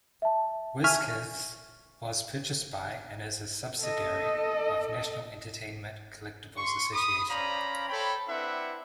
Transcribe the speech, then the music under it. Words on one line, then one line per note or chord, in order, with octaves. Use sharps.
WizKids was purchased by and is a subsidiary of National Entertainment Collectibles Association.
E5 A5
E5 G#5 C#6 F6
A4 D#5
C6 C#6
B5 D#6
C#4 C5 D5 F5 A#5 B5
A4 C5 C#5 G5 B5
C4 D4 E4 B4 E5 F#5